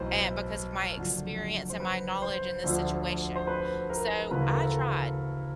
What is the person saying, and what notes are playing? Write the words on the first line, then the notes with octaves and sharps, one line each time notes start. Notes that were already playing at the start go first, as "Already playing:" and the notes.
a because of my experience and my knowledge in this situation. So, I tried,
Already playing: B1 A2 E3 B4 C5
F#1 F#2 D3 F3
C5
B4
C5
D2 D3 F3
C5
B4
A#4
D2 C#3 E3 B4
A#4
A4
A#4